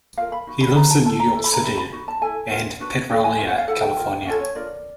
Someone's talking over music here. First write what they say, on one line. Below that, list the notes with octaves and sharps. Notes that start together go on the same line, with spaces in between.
He lives in New York City and Petrolia, California.
F4 A#4 F5
B5
D#4 F#4
B5
D#4 G4 B4 A#5
A5
F4 A4 A5
A#5
E4 A4 A#5
B5
A#5
E4 G4 A#4 B5
B5
D#4 F#4
A5
E4 A4 G#5
F4 A#4
D4 F#4 B4
D4 F#4 A4 G5
G#5
F4 A#4 G#5
F#5
F5
E4 A4 F#5
G5
F4 A#4
C#4 F4 A4 F#5
C#5
D4 F4 A#4 D5